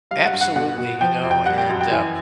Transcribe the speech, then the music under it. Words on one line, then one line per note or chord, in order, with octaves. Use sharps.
Absolutely, you know, and, uh,
G3 F5
F#5
G2
F#5
B2 F#5
B2
F3 G5
F2
G5
G3 F#5
G5
F#2
G5
E3 G#5